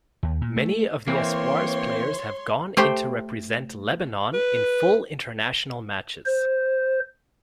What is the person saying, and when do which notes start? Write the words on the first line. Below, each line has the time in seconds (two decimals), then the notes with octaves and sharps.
Many of the Espoirs players have gone into represent Lebanon in full international matches.
0.23 D#2
0.41 A#2
0.57 A3
1.08 E3 A#3 C4 C#5 C6
2.77 A3 G4 C5 G5
4.33 B4
6.26 C5